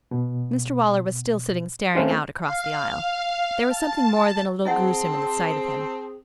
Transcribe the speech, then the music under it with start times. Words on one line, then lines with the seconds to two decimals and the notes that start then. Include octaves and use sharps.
Mr Waller was still sitting staring out across the aisle. There was something more than a little gruesome in the sight of him.
0.11 B2
1.95 A3 C4 C#4 F4
2.41 F5
3.68 A5
4.65 C4 E4 G#4 D#5 F#5 A5